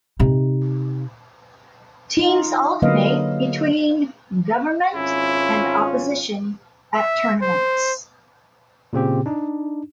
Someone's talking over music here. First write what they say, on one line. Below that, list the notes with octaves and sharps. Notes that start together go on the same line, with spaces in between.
Teams alternate between government and opposition at tournaments.
C3 D#4
D#4 F4
D3 F#3 A#3 B4 D#5 F5
G#1 C#4 E4 F4
E5
C5
A#2 C#3 C4 G4
D4 D#4